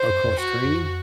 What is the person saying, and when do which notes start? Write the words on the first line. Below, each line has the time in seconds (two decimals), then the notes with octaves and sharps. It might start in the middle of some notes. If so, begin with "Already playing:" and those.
Oh, cross-training?
Already playing: C5
0.09 F#2
0.24 F2
0.40 F#4
0.64 F2